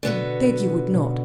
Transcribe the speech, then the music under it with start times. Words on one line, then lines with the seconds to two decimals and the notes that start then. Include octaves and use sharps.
I beg you would not.
0.03 B2 D3 B3 F#4 B4
0.94 B2